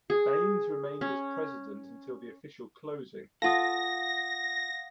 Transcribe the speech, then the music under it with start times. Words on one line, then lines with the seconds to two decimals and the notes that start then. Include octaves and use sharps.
Baines remained as president until the official closing.
0.10 G#4
1.01 C#4
3.42 F4 A4 F5 F#5 D#6 A#6